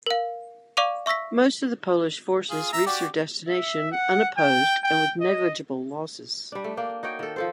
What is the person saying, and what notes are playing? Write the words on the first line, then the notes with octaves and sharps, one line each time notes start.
Most of the Polish forces reached their destination unopposed and with negligible losses.
A#4 F5
D5 F5 C#6 D6 D#7 F7
E5 C#6 E6 A#6 B6
F4 G#4
E5 A#5
F#4 G4 D5
E5
F#5
G5
G5
D#5
G3 D4
A3
A#3 D4 G5
D#4 F#4 C#5 G5
D#3 A4
F3 A4 C5